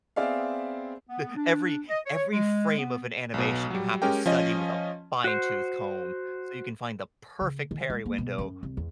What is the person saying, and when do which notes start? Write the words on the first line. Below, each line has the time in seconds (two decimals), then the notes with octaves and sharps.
D every every frame of an animation, you have to study with a fine tooth comb so you can find the perfect parry window,
0.16 B3 C4 G#4 D5 E5 F5
1.08 B3
1.36 D4
1.89 D#5
2.06 C#5
2.32 G#3
2.78 B3
3.34 B1 B2
3.70 F#3 G3
4.02 G#3 C#4 G4 A#4 G5
4.26 F3 C#4 D#5
5.24 F#4 C5
7.41 C#3
7.71 D#3
7.90 G#3
8.06 A#3
8.18 B2
8.38 F#2
8.63 C2
8.77 E2